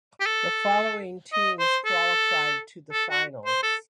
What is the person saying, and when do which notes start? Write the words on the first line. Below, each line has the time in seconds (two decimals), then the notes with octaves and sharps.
The following teams qualified to the finals.
0.20 G4
0.26 A4
1.32 D#5
1.59 C5
1.85 A4
2.92 A4
3.10 F#4
3.45 C5
3.63 A4